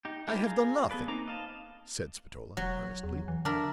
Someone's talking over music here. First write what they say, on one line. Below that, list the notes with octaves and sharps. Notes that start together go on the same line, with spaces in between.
"I have done nothing," said Spatola, earnestly.
D#4 G4
G#3 D4 E4 G4 A#4
F4 G#4 A#5
B3 G#4 A4 B4 D5
A#3 C4 D#4 A#5 D6
D#5 F5 A5
E1 F#3
E2
E3
D3 D4 A#4 E5